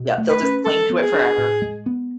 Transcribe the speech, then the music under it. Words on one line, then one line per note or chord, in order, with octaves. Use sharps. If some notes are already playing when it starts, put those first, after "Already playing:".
Yep, they'll just cling to it forever.
Already playing: B2
A3
B4
C#4
G#3 A4
B3
G#4
D4
A2
G#3
B3